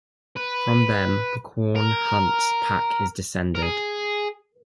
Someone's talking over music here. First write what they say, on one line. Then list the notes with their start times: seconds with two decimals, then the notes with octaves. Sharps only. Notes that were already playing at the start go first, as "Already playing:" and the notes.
From them the Quorn Hunt's pack is descended.
0.37 B4
1.76 A#4
3.55 A#4
3.62 G#4